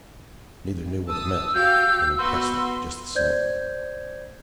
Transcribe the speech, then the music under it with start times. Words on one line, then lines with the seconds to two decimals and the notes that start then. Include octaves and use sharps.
Neither knew what it meant, but impressed them just the same.
1.08 A5 D#6 E6
1.55 F#4 G4 F5 G6
2.18 B3 F#4 B4 C6
3.15 C5 D5 G6 G#6